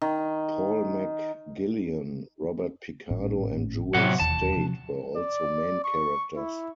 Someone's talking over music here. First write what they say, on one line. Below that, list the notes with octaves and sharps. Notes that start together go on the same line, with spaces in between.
Paul McGillion, Robert Picardo and Jewel Staite were also main characters.
D#3
G#1 A2 C#4
A2 C3 F#3 F#5
E1 D#2 E3 A5
C3 F3 F#3
D5
C#6
E4